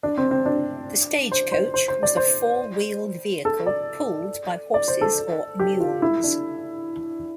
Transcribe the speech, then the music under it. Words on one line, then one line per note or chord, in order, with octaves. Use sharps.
The stagecoach was a four-wheeled vehicle pulled by horses or mules.
D4
C4
C4
D4
C5
C5
C5
C5
D5
C5
A4
D5
D5
C5
A4
G4
F4
E4
D4